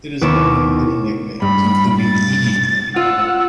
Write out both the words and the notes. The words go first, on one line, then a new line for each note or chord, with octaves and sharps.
It is known under many nicknames, including "e" and "Molly".
D#2 B3 E4 C#6 D6 E7
G2 B5
A6
F4 F#5 E6